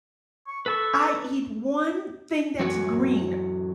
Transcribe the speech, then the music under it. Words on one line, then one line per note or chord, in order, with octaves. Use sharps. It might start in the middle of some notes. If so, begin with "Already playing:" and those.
"I eat one thing that's green."
C#6
A4 B4 A5 C#6
F#2 E3 F#4 C#5